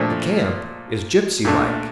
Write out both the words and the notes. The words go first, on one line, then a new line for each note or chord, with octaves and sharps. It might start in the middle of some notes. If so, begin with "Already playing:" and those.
The camp is gypsy-like.
Already playing: A#2 F3 A3 D4
A#2 A3 D4